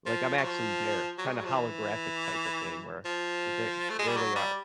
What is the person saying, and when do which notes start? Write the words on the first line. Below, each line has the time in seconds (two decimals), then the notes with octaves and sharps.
like, I'm actually there, kinda holographic type of thing where there there they are.
0.06 F3
0.38 F#3
0.44 F3
1.18 F#3
1.27 G#3
1.37 F#3
1.45 F3
1.55 E3
3.05 F3
3.90 A3
3.99 G#3
4.07 G3
4.17 F#3
4.35 G3